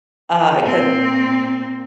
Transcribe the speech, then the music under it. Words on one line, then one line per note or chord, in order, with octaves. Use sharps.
uh, 'cause
A#2 C4